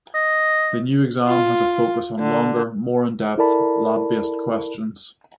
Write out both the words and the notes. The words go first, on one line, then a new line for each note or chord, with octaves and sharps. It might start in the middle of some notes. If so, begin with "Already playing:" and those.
The new exam has a focus on longer, more in depth, lab-based questions.
D#5
F4
D3
E4 A4 A#4 D5 A5 B5